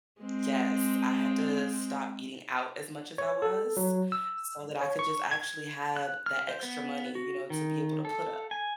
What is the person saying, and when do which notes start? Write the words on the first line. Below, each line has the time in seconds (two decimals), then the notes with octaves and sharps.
Yes, I had to stop eating out as much as I was. So that I could just actually have that extra money, you know, to be able to put up.
0.21 G#3 C4
3.18 C#5
3.42 A4
3.77 F#3
4.12 E6
4.81 C#5
4.99 C#6
5.31 G#6
5.96 F#6
6.26 F6
6.48 C5
6.63 B3
7.15 F#4
7.50 D#3
8.05 A4
8.51 G#5